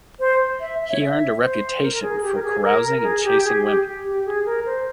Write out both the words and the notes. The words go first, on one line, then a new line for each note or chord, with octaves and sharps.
He earned a reputation for carousing and chasing women.
C5
E5
E5
C#5
E5
C5
A#4
A#4
G#4
G4
A#4
G#4
A#4
A#4
G#4
G4
G#4
G4
G4
G#4
A#4
C5